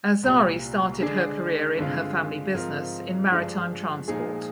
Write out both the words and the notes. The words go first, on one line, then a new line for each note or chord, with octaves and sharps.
Azhari started her career in her family business in maritime transport.
C2 A#2 G3
D3 G#3 D4 G#4
G2 D3 G#3 C4 F4
G#2 F3 C4 F4 A#4
G2 F3 G#3 D4
A#2 F3 G#3 D#4 G#4